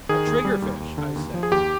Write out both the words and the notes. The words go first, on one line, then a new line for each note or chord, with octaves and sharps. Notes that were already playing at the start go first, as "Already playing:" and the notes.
"A triggerfish," I said.
D#3 G#4
D#2
G3
D#2
D#2
D3
D#2
F3
G#4
D#2 G4